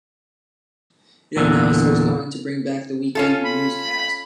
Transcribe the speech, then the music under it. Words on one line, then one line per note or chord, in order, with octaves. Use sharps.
It announced it was going to bring back the weekend newscast.
E2 A#2 D3
C#4 F4 A4
B5